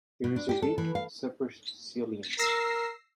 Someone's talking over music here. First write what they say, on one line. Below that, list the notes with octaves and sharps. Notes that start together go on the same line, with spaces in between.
There is a weak supercilium.
B2
D4
G4
A4
E3
F5
A#4 E6 A#6 C7